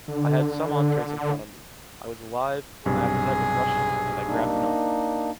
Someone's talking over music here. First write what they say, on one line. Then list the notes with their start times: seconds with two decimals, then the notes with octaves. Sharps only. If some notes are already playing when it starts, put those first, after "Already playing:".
I had some entrees in front of me, I was alive, my appetite was rushing, and I grabbed an olive.
0.08 D3
2.86 B1 G2 C3 G#4
4.25 A#3 D4 D#4